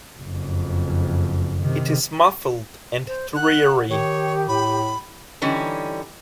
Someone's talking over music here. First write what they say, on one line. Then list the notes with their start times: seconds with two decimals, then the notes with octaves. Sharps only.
It is muffled and dreary.
0.20 F#1 F2
1.62 C3 D#3
3.07 C5
3.36 F#5 F#6
3.89 D#3 G4 C#5
4.48 A2 B5
5.42 D3 E3 G3 C#4 D#4